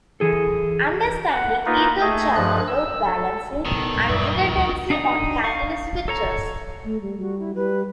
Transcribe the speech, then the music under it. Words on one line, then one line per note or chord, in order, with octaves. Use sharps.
Understanding EtherChannel Load Balancing and Redundancy on Catalyst Switches.
E3 G#4 A4
F#5
A#3 D#4 F4 A#4 B4
A3 G#4 D#5
G2 F3 F#6
E6
A4
B2 D#3 A4
D#1 F2 A#2 G3
F#2 B4 D5 E5
F3
D2
D4 D#4 D5 D#6
F5 C#6
A4 C#5 A#5
A3
G3
G3 F#4
E4
G3 B4